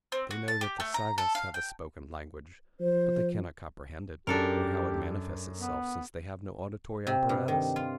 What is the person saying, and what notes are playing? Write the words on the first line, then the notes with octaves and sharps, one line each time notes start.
They know that the Sagoths have a spoken language, but they cannot comprehend it, or how it manifests itself, since they have no auditory apparatus.
C4
F#4
A5
G4
A3
A#5
A4
F5
G5
F3 C5
F#2 D4 G4 A4 A#4
B3
C3
G2
D#3
F4